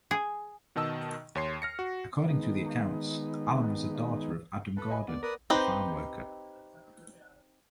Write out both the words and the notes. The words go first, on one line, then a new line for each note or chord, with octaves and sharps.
According to the accounts, Allan was the daughter of Adam Gordon, a farm worker.
G#4
B2 D#3 D#5 A5 E6
D#2 C#5 C6 C7
F6 A#6 C#7
F#4
D#3 G#3 B3 D#4
A4 B4 A5
D#5 G#5 B5
B3 D5
A#4 B4 D5 D#6
C4 D#4 G4 B4 C5